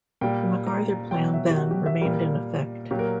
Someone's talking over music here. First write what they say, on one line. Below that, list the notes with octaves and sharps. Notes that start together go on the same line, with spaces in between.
The MacArthur Plan, then, remained in effect.
A#2 G3 G5
A#5
A#5
B2 F#3 G5
E5
G4
F#4
G4
E5
A#2 G3 A#4
A#2 F#3 G4
A#4